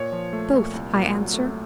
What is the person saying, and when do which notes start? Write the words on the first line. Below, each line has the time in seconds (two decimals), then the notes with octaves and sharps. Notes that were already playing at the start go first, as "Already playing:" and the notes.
Both, I answer.
Already playing: A#2 C#5
0.12 F3
0.33 A3
0.54 A#2
0.74 C2
0.94 A#2
1.14 F#3
1.34 A3